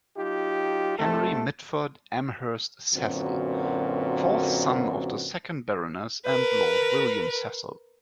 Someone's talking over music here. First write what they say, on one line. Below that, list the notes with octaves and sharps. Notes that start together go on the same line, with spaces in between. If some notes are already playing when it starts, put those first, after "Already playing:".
Henry Mitford Amherst Cecil, fourth son of the second Baroness and Lord William Cecil.
F#3 D#4 F4 G4
C2 G#2 A3 C4 A4
F#2 A#2 D3 C4 F#4 B4
A#4 B4